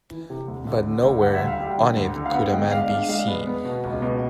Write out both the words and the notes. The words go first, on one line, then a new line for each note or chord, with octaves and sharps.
But nowhere on it could a man be seen.
E3
C3
D2
D2
D3
D2
G3 F#5
E5
D2
F5
G3 G5
D3
D2
D3
F5
B3 F#5
G#3 G5
D4 F5
D4 F5
G#3 F5
B3
B3
B2
C#2
B2